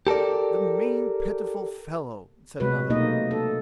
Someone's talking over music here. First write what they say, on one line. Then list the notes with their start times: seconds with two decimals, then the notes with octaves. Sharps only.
"The mean, pitiful fellow!" said another.
0.07 G4 A4 A#4 D5
2.60 C3 F#3 G#3 F#4 B4
2.90 B2 A3 A#3 D#4 D#5
3.31 A4